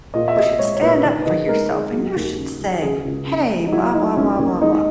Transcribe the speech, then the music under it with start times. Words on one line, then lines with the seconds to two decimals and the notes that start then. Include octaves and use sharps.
"You should stand up for yourself, and you should say, 'Hey, blah, blah, blah, blah, blah.'"
0.14 A#2 D#5
0.28 E5
0.36 A#2 D#5
0.59 G#3 C#5
0.76 C#5
0.81 A#2 B4
1.04 D#3 B4
1.25 D#3 D#5
1.48 G#3 A#4
1.71 G#3 G#4
1.93 F#3
2.16 D#2
2.38 C#3
2.61 F#3
2.82 C#3 G#4
3.05 C#2
3.27 C#3
3.49 G#3
3.67 D#4
3.72 F#3 E4
3.95 F#3 D#4
4.16 D#2 C#4
4.39 D#2 C#4
4.61 G#3 D#4
4.73 D#4